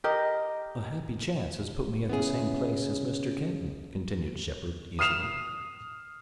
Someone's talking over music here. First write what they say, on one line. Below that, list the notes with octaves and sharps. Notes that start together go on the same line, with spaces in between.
"A happy chance has put me at the same place as Mr. Kenton," continued Shepard easily.
G4 A#4 D#5
C#3 B3 E4 G#4
D#6 F6 C7 E7 F7